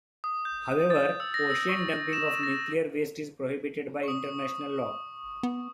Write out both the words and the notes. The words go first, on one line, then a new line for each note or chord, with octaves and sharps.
However, ocean dumping of nuclear waste is prohibited by international law.
D#6
G6
A6
E6
A#6
E6
C#6
E7
A#6
C#6 D#6
B3